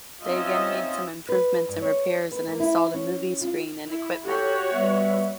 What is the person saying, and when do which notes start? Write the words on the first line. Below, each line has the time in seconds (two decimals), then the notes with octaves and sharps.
They again made some improvements and repairs and installed a movie screen and equipment.
0.23 C4 C#4 D#4 F4 D#5 E5
1.29 B4
1.68 G2
1.82 C#5
2.32 B4
2.47 A#3
2.60 E4
2.94 C#4
3.41 F4
3.88 E4
4.24 F#4 G4 A4 C#5 F#5
4.73 G3 B3 E5